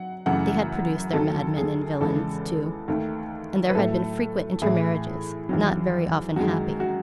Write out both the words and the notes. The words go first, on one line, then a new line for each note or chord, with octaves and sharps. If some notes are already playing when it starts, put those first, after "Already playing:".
They had produced their madmen and villains, too; and there had been frequent intermarriages--not very often happy.
Already playing: F#3 F#5
F#2 C#3 E3 A3 F#5
D#2 D#3 F#3 A4
G#4
E2 C#3 G#3 A4
D#2 D#3 A3
B4
A2 F#3 A3 A4
A2 E3 A3 G#4
E2 D#3 F#3
F#2 D#3 G#3 F#4
F#4